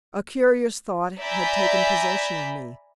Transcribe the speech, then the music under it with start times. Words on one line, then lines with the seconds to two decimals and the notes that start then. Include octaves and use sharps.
A curious thought had taken possession of me.
1.20 D5 E5 G#5 A#5 B5 G6